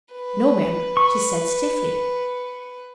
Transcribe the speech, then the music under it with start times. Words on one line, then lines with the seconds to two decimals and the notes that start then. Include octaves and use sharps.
"No, ma'm," she said stiffly.
0.14 B4
0.97 C#6